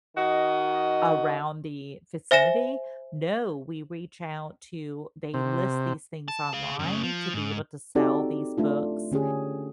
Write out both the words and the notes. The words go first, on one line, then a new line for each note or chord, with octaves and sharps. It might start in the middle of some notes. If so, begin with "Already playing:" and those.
around the vicinity? No. We reach out to They list these things online to be able to sell these books
D#3 F#4 D#5
C5 E5 G#5 A#6 E7
C3
A5
G#4 F5
F#2 C#3
F3
G#2
C4 D#4 F#4 G4 A4 D5
A3 D4 F4
D3 C#4 G4 G#4